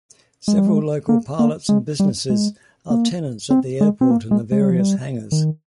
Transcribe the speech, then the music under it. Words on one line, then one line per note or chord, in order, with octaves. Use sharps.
Several local pilots and businesses are tenants at the airport in the various hangars.
G#3
G3
G#3
A#3
A#3
G#3
G3
G#3
A#3
C4
G#3
C4
A#3
G#3
G#3
G3
F3
G3
D#3